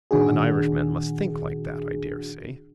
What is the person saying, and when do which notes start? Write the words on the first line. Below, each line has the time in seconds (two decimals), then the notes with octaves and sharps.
An Irishman must think like that, I daresay.
0.11 A#2 D#3 D4 F#4 G#4